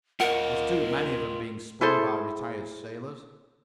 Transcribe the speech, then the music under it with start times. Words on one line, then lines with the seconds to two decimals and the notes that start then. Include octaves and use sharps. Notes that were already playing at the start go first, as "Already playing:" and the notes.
There's too many of 'em being spun by retired sailors.
0.20 F4 A#4 D#5 F#5
1.81 E4 G#4 A4 C5